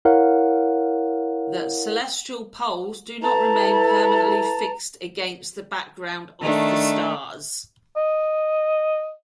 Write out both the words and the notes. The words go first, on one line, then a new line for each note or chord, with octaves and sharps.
The celestial poles do not remain permanently fixed against the background of the stars.
E4 A#4 C#5 F5 F#5
E4 A4 B4 A5 A#5
D#3 A3 D4
D#5